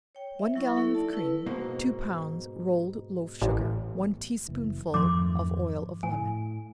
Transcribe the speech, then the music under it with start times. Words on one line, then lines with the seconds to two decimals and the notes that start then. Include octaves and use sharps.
One gallon of cream, two pounds rolled loaf-sugar, one tea-spoonful of oil of lemon.
0.15 C#5 G5
0.39 E5
0.56 F#3 E4 F#5 C#6
0.76 A#3 E4 A4
0.95 D#4 D5 A5
1.13 E4 B4
1.46 G#2 B2 A#3
3.42 A1
4.48 F#1 E3
4.94 F2 G#2 D#3 F3 A3 C6 D6
6.03 A2 G#5